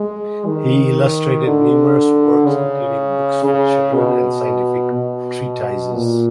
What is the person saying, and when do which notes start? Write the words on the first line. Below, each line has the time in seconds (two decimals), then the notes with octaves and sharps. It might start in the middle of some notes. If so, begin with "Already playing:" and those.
He illustrated numerous works including books for children and scientific treatises.
Already playing: G#3
0.47 D#3
1.45 D3
2.46 C#3
3.44 C#3
3.94 B2
4.94 B2
5.93 A#2